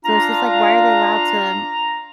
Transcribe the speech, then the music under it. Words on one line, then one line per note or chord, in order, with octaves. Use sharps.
so it's just, like, why are they allowed to
D4 F4 F5 A#5